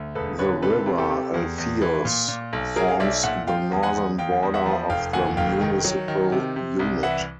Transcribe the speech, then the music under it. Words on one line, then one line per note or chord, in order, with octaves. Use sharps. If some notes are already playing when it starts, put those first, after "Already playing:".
The river Alfeios forms the northern border of the municipal unit.
Already playing: D2
E1 A4 B4
D3 B4 C#5
C3 A4 B4
C3
G4 A4
C3
E2
E2
E3
A#2
A#2
B1
F#3 G#4 A#4
F5
B1 D5 E5
A#2 E5 F#5
F3 F5 G5
E2
F#5 G#5
E2
E2 F5 G5
E2
E5 F#5
F3
F1 F5 G5
D#2 F#5 G#5
F1 F5 G5
D#3
F#3
D#3
C3
C3
C2
E3 E5 F#5